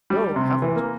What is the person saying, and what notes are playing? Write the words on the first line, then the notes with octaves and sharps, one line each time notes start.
'No, I haven't.
G3
C3
E3
A#3